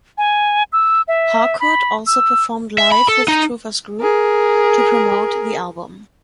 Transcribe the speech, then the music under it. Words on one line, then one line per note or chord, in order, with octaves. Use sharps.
Harcourt also performed live with Truffaz's group to promote the album.
G#5
E6
E5
B5
E6
E5
B5
A4
D#4
G#4 A#4